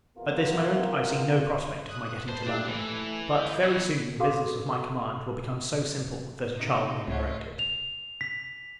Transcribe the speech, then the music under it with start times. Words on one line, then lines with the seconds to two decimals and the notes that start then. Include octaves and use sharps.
At this moment, I see no prospect of my getting to London; but, very soon, the business of my command will become so simple, that a child may direct it.
0.17 E2 C3 B3 E4 F4 A#4
1.89 D#6 F#6
2.29 B4 C5 A5
2.47 A3 D4 E4 G4
2.69 E3 A3
3.34 D#5 G6
3.63 B2
4.20 F#4 G#4 A4 F5 C6 D6
6.56 C3 D#4
7.08 C#2 A3 F4 C#5
7.59 F7
8.21 B6